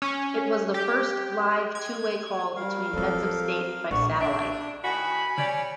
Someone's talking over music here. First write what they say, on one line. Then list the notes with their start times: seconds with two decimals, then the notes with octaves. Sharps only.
It was the first live two-way call between heads of state by satellite.
0.02 C#4
0.74 G4
1.75 G#6
2.56 G3 A#4 F5
2.94 F3 F#3 C4 A4
3.91 A#1 D5 F#5 C#6
4.21 D4 E5
4.84 A2 D#3 F#4 G#5 B5
5.37 G3 C#5 D5